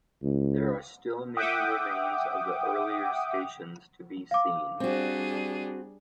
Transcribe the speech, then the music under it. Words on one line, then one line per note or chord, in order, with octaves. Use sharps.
There are still many remains of the earlier stations to be seen.
C#2
E5 F#5 G5 D6 D#6
F5 D6
G3 C4 D4 F#4 G#4